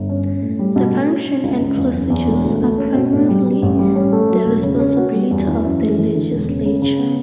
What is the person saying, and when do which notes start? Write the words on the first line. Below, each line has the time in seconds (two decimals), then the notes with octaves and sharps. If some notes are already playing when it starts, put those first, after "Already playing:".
The function and procedures are primarily the responsibility of the legislature.
Already playing: G1
0.09 C#4
0.25 C#4
0.42 A2
0.59 G3
0.76 B2
0.93 A3
1.10 C#4
1.27 C#4
1.43 C#2
1.60 C#2
1.77 E2
1.94 F#1
2.10 E2
2.28 E1
2.44 D2
2.62 A3
2.78 C#4
2.94 B2
3.12 A2
3.29 G3
3.46 G3
3.62 A1
3.79 G3
3.96 C#4
4.12 A3
4.30 F#3
4.46 E1
4.63 C#3
4.80 C#4
4.97 F#4
5.13 G3
5.31 E2
5.48 E3
5.64 F#2
5.81 A3
5.98 E3
6.15 D3
6.32 E1
6.48 C#3
6.65 C#3
6.82 C#3
6.99 B3